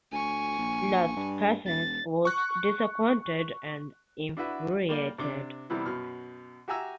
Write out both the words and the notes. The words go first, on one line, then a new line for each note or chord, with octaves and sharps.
Las Casas was disappointed and infuriated.
D2 G#5 C#6
A#1
G2
E1 A6
C#6 F#6
D4 E4 F#4 B4 E5 F#5
G3 A#3 D5
C3 D4 D6
C3 E3 G3 B3 E4
F#2 B2 F6
F#4 G4 E5 G#5 A#5 E6